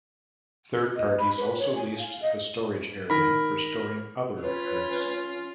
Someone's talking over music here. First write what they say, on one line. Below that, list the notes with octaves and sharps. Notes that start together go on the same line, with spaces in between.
Third parties also leased the storage area for storing other goods.
D#5
B5
B4
C#5
G#5
F5
D#5
D#3 A#4 B5
C#4 F4 B4 C#5